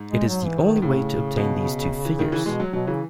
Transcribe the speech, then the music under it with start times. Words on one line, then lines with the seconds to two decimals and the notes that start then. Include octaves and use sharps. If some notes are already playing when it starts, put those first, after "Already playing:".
It is the only way to obtain these two figures.
Already playing: G#2
0.10 G#3
0.28 F#3
0.46 E3
0.64 D#3
0.82 A2 C#3
1.37 B2
2.05 E3
2.19 D#3
2.32 E3
2.46 B2 G#3
2.60 F#3
2.73 B2 F#3
2.87 C#3 E3